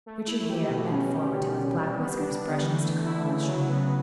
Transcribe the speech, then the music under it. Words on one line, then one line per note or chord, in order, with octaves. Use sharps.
Richard Hare bent forward till his black whiskers brushed Mr. Carlyle's shoulder.
A3
E4
G4
B2
C#4
G4
G3
G3
G3
B3
D4
D3
E3
A3
E4
C#3
F#3
B3